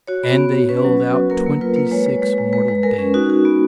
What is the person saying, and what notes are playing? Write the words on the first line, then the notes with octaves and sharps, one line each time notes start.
And they held out twenty-six mortal days.
F#4 C#5
B3
B3
B3
C#4 B4
F#3
F#4
F#3
A#3 A#4
A#3
F4 B4
A#3
B4
G#3 C#5
G#3
G#3
G#3
G#3 B4
G#3
G#3 A#4
C#4
D#4 F#4
F#4
B3